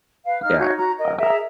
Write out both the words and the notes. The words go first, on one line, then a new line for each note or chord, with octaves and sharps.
Yeah, uh,
B4 F5
D#4 F6
D#4 F#4 C#5
F#4 A#5
A#4 D#5
G#4 A#4 E5 A#5